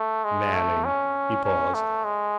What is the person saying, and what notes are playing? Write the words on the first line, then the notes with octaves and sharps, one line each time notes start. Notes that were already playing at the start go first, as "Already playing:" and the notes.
"Manning." He paused.
Already playing: A3
G#3
A3
C#4
C#4
A3
G#3